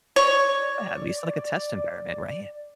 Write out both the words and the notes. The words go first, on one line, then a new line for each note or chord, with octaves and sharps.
At least, like, a test environment, right?
C#5 D5